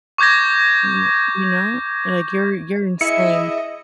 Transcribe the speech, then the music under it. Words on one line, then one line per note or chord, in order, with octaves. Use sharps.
y you know, like you're you're insane.
C#6 D6 G6 G#6 A#6
E4 G#4 D#5 E5 C#7